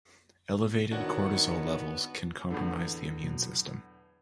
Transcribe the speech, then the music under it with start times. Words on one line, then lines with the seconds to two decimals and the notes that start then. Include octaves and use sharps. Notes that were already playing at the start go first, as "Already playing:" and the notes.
Elevated cortisol levels can compromise the immune system.
0.91 D#3 B3 D4 E4 F#4 C#5 F#5
2.50 E2 A2 D3
3.23 B2 F#3